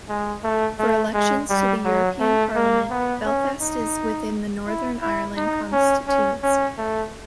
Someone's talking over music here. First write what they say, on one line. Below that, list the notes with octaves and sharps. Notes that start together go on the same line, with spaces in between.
For elections to the European Parliament, Belfast is within the Northern Ireland constituency.
G#3
A3
A3
G#3
G3
F#3
A3
A#3
B3
C#4
D#4
E4
E4
D#4
C#4
C#4
C#4
A3